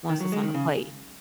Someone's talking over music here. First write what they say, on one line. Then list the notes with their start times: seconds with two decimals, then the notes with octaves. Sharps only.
once it's on the plate.
0.09 D#3
0.20 F#3
0.32 G#3
0.43 D#3
0.54 C#3